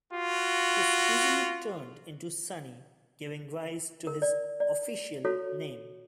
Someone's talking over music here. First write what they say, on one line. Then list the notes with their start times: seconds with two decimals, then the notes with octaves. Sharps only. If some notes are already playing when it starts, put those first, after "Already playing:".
This easily turned into Sonny, giving rise to his "official" name.
0.13 F4 F#4
4.07 A#4
4.22 D5
4.60 D5
5.25 F4 F#4 A4 C#5